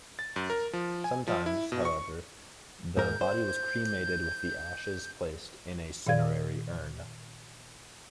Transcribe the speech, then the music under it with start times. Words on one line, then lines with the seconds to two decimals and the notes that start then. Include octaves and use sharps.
Sometimes however the body was cremated with the ashes placed in a cinerary urn.
0.19 A6
0.36 F#2
0.50 A#4
0.73 F3
1.04 G#5
1.27 F3
1.46 E4
1.72 B2
1.85 C#6
2.97 G#2 A#4 G6
3.21 C5
6.07 A#2 D#3 D5 F5 G#6